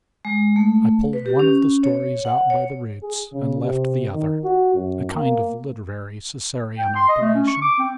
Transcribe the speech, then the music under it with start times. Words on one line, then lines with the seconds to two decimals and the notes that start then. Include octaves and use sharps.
I pulled one of the stories out by the roots, and left the other--a kind of literary Caesarean operation.
0.25 G#3
0.56 A3
1.13 B4
1.26 G4
1.39 C#4
1.83 C#5
2.25 F#5
2.50 C#5
3.03 G#4
3.32 C#3
3.62 C3
4.14 D#3
4.44 F#4
4.74 F#2
5.15 A#3
6.78 G5
6.96 C6
7.09 D#5
7.21 A3
7.34 C#4
7.47 C#6
7.62 D6
7.79 C4